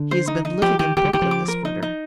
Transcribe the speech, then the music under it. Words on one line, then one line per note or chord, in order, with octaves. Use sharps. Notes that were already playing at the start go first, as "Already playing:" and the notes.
He has been living in Brooklyn this winter.
Already playing: D3
C5
D#4
D#4
F3 G4
D#3 G4
D#3 G4
D3
D#3 G4
F3
D6
A#4
D#4
D#4